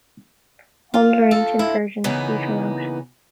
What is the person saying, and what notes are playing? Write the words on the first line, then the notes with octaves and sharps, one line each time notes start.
All other ancient versions leave him out.
F4
A4
E4
C#3 E3 A#3 B3 D#4